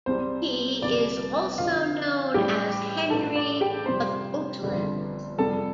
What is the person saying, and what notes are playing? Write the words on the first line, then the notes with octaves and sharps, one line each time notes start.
He is also known as Henry of Oatlands.
C2 C3 G3 C5
G1 F2 C3 G3 D5
F2 D3 F3 F4 F5
A1 A2 G3 G4 G5
A1 A2 F3 A4 A5
D5
G4 G5
F2 C3 G3 C5 C6
G1 F2 D3 G3
F2 C3 G3 A4 A5